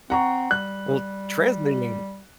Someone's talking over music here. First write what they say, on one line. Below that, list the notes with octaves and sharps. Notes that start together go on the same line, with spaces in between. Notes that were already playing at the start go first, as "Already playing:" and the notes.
Well, translating
C4 F#5 A#5 C#6
G3 F#6